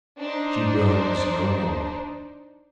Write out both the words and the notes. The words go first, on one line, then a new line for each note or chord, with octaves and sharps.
"She burns no more."
D4 D#4 C5